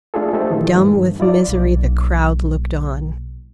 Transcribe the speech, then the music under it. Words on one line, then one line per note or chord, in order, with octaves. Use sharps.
Dumb with misery the crowd looked on.
A3 D4 F4 G#4 A4
A3 G4 A4 C5 D#5
A#2 D#3 E3
G2
E4 F4 D5
B1 A#2